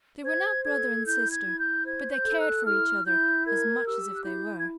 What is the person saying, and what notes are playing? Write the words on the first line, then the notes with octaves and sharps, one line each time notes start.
They were not brother and sister; but they cared for each other as much as if they were.
C5 G#6
A4 G#6
E4 G6
G#6
E4
G6
C5 G#6
G6
A4
F#6
E4 F6
E4 G6
A#4 G#6
G4 E6
F#6
E4 G6
G#6